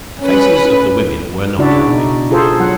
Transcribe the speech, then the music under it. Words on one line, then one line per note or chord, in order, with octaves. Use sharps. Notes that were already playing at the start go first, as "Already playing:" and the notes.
The faces of the women were not lovely.
C#4 B4
C#3 D4 E4 F#4 D5 E5
B2 D#4
F4 G#4 A4 C5
F#3 F#5